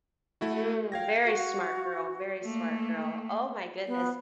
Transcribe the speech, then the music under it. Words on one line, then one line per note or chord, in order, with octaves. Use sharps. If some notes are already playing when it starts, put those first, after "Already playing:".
Mm, very smart girl, very smart girl, oh my goodness.
A3 E4 F#4
F5 G5 G#6 A#6
F#4
A3 A#3
B3